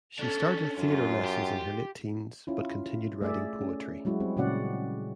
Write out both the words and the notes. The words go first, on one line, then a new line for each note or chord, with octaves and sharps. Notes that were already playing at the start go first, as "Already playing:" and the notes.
She started theatre lessons in her late teens, but continued writing poetry.
C#4 D4 A4
F#2 F4
G4
C#4 E4 F4
A3 G#4 D5 E5
C#4
F#3 G#3 E4 F#4
G3 C4
A#2 C#3 C#4 F#4 D5 F#5